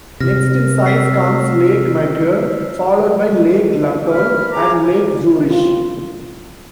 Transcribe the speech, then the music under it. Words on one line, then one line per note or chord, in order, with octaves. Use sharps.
Next in size comes Lake Maggiore, followed by Lake Lucerne and Lake Zurich.
C3 F6 A#6
E6 B6 C7
C2 B5 F6
G#4 A#5 D6
F4